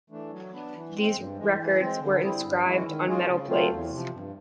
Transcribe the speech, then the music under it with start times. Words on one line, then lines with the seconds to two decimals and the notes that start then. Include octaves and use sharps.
These records were inscribed on metal plates.
0.10 E3 A3 D4
0.31 F#3
0.52 B3 D4
0.73 E3
0.94 G#3 C4
1.16 G2
1.36 E3 G#3
1.58 E3
1.78 G#3 C4
1.99 D3
2.20 G3 C4 E4 G#4
2.42 G2
2.63 E3 G#3 C#4 E4
2.84 D#3
3.05 G#3 C#4 F4 G#4
3.27 C#3
3.47 F#3 A3 C4 F4
3.68 E2
3.89 C3 F3
4.11 G2